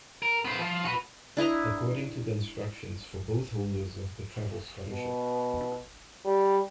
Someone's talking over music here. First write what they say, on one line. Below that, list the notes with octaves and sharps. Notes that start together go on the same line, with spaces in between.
According to the instructions for both holders of the travel scholarship.
A#4
B3 C5
F3 F4
F#4 B4
D4 E4 D#5 A#5
B2
G3